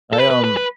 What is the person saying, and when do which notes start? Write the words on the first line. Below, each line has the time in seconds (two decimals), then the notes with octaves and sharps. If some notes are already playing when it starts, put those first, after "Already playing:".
I, um
0.13 A4
0.18 B4
0.31 B4
0.44 B4
0.57 B4